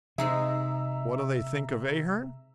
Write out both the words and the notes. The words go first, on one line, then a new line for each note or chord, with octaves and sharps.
What do they think of Ahearn?
C3 G#3 D#4 G#4 E5 A#5 E6